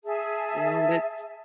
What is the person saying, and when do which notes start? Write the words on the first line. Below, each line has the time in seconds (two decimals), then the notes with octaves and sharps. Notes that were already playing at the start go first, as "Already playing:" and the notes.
Well, let's
0.05 G#4 E5 A5